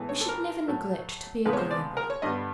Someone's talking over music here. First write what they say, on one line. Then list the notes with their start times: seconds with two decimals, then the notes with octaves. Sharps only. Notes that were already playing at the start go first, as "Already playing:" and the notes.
We should never neglect to be agreeable.
Already playing: A2 E3 G#3 B3
0.09 C#5
0.21 A4
0.29 A#4
0.67 A2 F#3 A3
1.45 D2 C3 F3 G#3 B3 B4
1.53 C#5
1.58 C5
1.71 D5
1.97 A#4
2.10 C#5
2.22 G2 D3 G3 B3 D#5